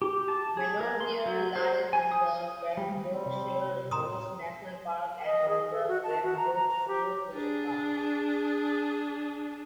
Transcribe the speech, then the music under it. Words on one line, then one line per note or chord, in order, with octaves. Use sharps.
Manorbier lies in the Pembrokeshire Coast National Park and on the Pembrokeshire Coast Path.
G4
A5
G#4
A#4
C6
F#3
C5
G#5
D#6
G3
G3 C4
C3
F2 A2 D#3 A#5 C6 D#6
D#5
G#4
A4
F#4
A5
F#4
A#5
A#5
A#5
G4
D4 G#4